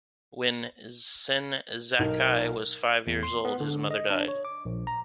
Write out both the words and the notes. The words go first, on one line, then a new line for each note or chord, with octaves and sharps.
When Senzaki was five years old his mother died.
B1 D#4 A#4 F7
E2
C6
B3
D3
D#5
D4
C#5
D6
A#1
A#5